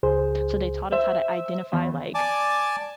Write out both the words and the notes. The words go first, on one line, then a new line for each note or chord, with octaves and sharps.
So they taught us how to identify, like,
C#2 G#4 C5
C5 E5
E2
D5 G#5 A5 D6